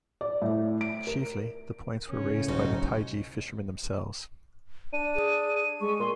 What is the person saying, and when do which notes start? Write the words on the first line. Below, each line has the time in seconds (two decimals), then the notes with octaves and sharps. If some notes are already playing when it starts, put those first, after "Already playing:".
Chiefly the points were raised by the Taiji fishermen themselves.
0.21 D5
0.42 A2
0.81 D7
1.07 A#4
2.10 A2 C#3 C#4
2.48 B1 G#2 D#4 F#4
4.93 D4 D#7
5.16 G#4
5.55 D#7
5.81 G#3 C#6
6.00 A#2 C6